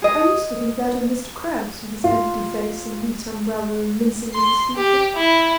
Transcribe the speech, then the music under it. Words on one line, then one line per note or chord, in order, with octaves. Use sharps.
I used to think that of Mr. Crowse, with his empty face and neat umbrella, and mincing little speeches.
G#4 D#5
F4
C6
G4
E4